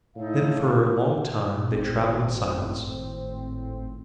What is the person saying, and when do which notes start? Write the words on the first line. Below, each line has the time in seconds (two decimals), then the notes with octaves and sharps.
Then for a long time they traveled in silence.
0.16 A2 D#4 A4 F5
1.70 G#1 A2 C4